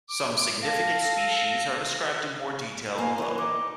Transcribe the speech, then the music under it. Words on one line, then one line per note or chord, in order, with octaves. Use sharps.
Some significant species are described in more detail below.
D6
A4 F5 A#6
A#3 F5 G#5
F#2 E3 A#4
D#4 D6